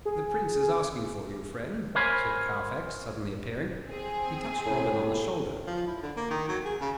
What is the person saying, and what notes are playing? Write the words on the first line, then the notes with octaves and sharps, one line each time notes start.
"The Prince is asking for you, friend," said Carfax, suddenly appearing. He touched Robin on the shoulder.
G#4
A#4 C5 C#5 G#5 B5
C4 G#4
A2
F3
E4
D3
A#3
D#3
F#3
G#4
C#3